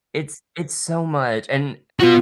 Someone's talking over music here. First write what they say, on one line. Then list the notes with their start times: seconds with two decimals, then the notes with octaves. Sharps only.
It's it's so much, and,
2.00 B3 F4 F#4